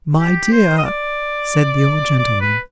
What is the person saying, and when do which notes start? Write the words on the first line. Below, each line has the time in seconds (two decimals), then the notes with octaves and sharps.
'My dear,' said the old gentleman.
0.19 G4
0.52 C5
0.77 D#5
0.85 D5
2.19 D5
2.40 B4